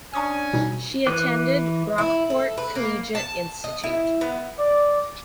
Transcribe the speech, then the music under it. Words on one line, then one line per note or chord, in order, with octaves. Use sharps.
She attended Brockport Collegiate Institute.
C#4 D4 G#5 A5 C#6 D#6
B2 G3 D#4
E3 B4 D6 F#6
E4
A4
B4
A#3
A5
D#5
E4
B3
D5